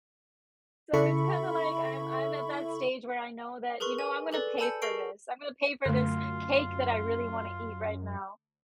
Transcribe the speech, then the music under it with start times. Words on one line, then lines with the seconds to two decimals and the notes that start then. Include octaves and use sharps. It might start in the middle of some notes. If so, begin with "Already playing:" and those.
So, it's kinda like I'm I'm at that stage where I know that, you know, "I'm going to pay for this, I'm going pay for this cake that I really wanna eat right now,
0.93 C#3 E4 A4 E5 B5 C#6
3.80 G#4 A#4 B4 C6 C#6
3.99 G#5
4.32 G4 A4 B4 D5
4.58 G#5 A5 B5 E6 G6 C#7
4.82 G#4 A#4 D#5 C#6 C7 D7
5.86 F#2 D3 A3 F4